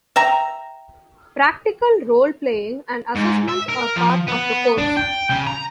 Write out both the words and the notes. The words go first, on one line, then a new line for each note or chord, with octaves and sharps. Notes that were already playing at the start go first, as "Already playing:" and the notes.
Practical role-playing and assessments are part of the course.
E5 G5 A#5
G#2
E5
A#4
F3
B3
D4
G5
C#3
A#5